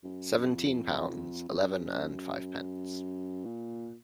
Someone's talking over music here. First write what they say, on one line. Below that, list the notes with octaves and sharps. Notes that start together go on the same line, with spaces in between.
Seventeen pounds eleven and fivepence.
F#2
F2
F#2
A#2